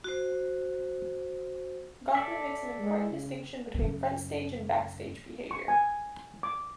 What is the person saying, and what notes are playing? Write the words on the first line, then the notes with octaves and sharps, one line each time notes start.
Goffman makes an important distinction between "front stage" and "back stage" behavior.
F#4 C5
A4 D5 E5
G#3
C#3
F#2 C#3
C#6
G#5
D6